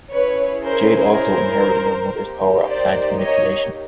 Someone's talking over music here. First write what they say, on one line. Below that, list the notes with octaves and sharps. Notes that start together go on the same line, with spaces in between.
Jade also inherited her mother's power of plant manipulation.
C#4 E4 G#4 B4 C#5
A#4 C5
A#4 C5
A#3 D#4 G4
C5 D5
C#5 D#5